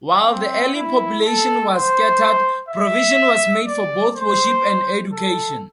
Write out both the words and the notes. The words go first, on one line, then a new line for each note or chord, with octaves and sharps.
While the early population was scattered, provision was made for both worship and education.
C4
E4
A4
C5
E5
D5
C5
A4